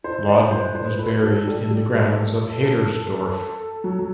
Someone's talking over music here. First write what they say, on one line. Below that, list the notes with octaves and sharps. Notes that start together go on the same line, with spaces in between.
Laudon was buried in the grounds of Hadersdorf.
E4 C5
D5
B4 C5
C5
A4 B4
F#4
G3
G3
G3
F#3
F#3